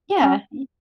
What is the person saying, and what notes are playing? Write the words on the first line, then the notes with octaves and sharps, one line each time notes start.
Yeah, y
C#4